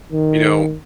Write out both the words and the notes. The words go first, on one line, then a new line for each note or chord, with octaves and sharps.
You know
D#3